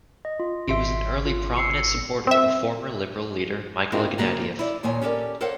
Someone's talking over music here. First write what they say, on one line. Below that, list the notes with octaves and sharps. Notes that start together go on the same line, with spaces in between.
He was an early prominent supporter of former Liberal leader Michael Ignatieff.
D#5
F4
G#1 E5 C6 D7
F4
E6 C7 C#7
C4 E5
C4 D4 E4 F4 A#4 D#5
D#2 C#3 A#3 F#4
E4 D5
D#2 A#2 C5 C#5 G#5
C#4 G4 A4 A#4 D5
A4 A#4 C5 C#5 F5 F#5